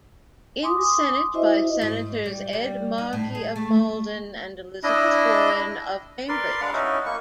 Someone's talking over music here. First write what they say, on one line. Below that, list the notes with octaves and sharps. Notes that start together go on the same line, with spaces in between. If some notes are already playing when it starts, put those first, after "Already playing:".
In the Senate by Senators Ed Markey of Malden and Elizabeth Warren of Cambridge.
G#5 C6 D6 D#6
E4 F#4 C5 D#5 E5
G#2
G3
G3
D#4
A2
G#4
A3
D4 E4 D#5
A#4 B4 D5 C6
G#3 D4 F5 F#5
C#4 D#4 E4 F#4
A#3 C#6